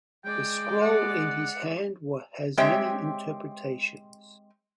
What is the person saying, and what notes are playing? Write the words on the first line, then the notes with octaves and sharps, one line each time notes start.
The scroll in his hand has many interpretations.
G#3 D5 G5
F#5
G#3 C4 G4 C#5 E5 G5